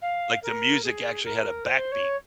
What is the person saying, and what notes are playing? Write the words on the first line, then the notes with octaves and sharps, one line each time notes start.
Like the music actually had a backbeat.
F5
A#4
G#4
A#4
C5
C#5